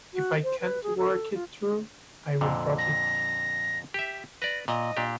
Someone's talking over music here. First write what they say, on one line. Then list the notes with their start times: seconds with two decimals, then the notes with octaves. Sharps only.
If I can't work it through, I will drop it.
0.14 F#4
0.44 C5
0.60 B4
0.83 G#4
0.97 A4
1.34 F4
2.41 F2 A#2 D3
2.78 A#6
3.94 G4 E5
4.42 B4 D5 A#6
4.68 A#2 D#5
4.97 A#2 D4 G4